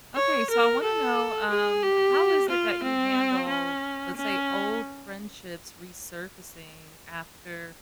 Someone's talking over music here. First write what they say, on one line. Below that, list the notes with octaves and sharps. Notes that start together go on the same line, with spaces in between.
Okay. So I wanna know, um, how is it that you handle, let's say, old friendships resurfacing after
C#5
A#4
A4
G#4
G4
F4
C4
C#4
C#4